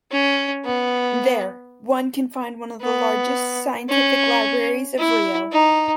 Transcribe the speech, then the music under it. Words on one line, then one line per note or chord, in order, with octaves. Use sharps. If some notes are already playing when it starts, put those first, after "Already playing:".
There, one can find one of the largest scientific libraries of Rio.
C#4
B3
B3
C#4
E4
D#4